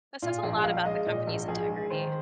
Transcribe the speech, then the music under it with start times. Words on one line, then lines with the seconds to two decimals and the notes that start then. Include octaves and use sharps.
That says a lot about the company's integrity.
0.22 A#2 F4
0.43 A#1 G#4
0.64 A#1 F5
0.85 G#3 D#5
1.06 A#2 D#5
1.27 A#1
1.48 A#1 G#4
1.69 G#3
1.90 D#3 C5